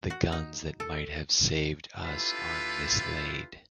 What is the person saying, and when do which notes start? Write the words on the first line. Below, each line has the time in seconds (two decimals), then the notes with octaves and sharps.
The guns that might have saved us are mislaid.
0.10 F#4
0.32 D#4
0.80 A4
2.04 D4 E4 F4 G4 A4 B4